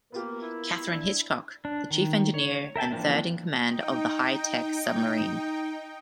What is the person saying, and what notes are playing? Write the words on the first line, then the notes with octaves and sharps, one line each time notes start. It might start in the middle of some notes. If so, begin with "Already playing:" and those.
Katherine Hitchcock, the chief engineer, and third in command of the high-tech submarine.
A#3 B3 F4 G4 A#4
E4
D4
D4
D#3
C#5
A#4 E5 G5 A5
E3 F3 A#3 C4 D4
D#4 G5